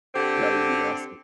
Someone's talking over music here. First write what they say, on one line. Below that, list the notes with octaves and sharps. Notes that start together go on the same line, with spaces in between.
That would be awesome.
D3 C4 G4